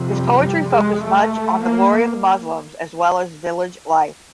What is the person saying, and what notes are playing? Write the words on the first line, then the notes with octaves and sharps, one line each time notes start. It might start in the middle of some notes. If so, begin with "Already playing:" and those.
His poetry focused much on the glory of Muslims as well as village life.
Already playing: F2 C3
G3
G3
G#3
A3
A#3